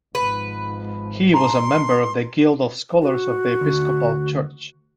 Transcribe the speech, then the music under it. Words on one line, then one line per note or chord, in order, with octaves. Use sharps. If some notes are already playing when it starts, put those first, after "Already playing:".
He was a member of the Guild of Scholars of The Episcopal Church.
G#1 G#2 F3 B4
A5 A#5 C6
F#4
D2